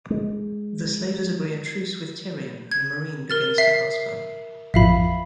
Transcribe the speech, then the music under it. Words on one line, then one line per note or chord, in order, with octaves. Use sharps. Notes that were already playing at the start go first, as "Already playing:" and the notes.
The slavers agree a truce with Tyrion and Meereen begins to prosper.
G#3
G#6
A#4 F6 A6
E5 C7
A1 F2 E5 F5 B5